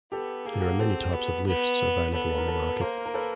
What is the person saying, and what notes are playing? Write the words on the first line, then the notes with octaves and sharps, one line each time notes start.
There are many types of lifts available on the market.
B3 G4 A4
A#3 G#4
A4
F#4 G#4
C4 G4 A4
B3
B3
B3 A4 B4
A4
A#4
A4 B4
A#3 A#4 C5
A#4
A4 B4